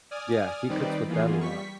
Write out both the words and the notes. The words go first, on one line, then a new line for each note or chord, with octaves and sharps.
yeah, he cooks with that a lot.
D5 G#5 D#6 F6
D#3 G3 C4 D#4 B4 D5
E3 A#3 B3 F4 G#4
G3 C#6 B6